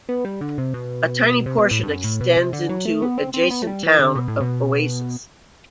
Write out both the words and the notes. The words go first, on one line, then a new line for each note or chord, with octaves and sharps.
A tiny portion extends into adjacent Town of Oasis.
B3
G3
D3
C3
B2
C3
B2
A2
G2
F#2
A2
B2
C3
D3
F#3
A3
B3
C4
C4
B3
A3
G3
E3
D3
B2
A2
B2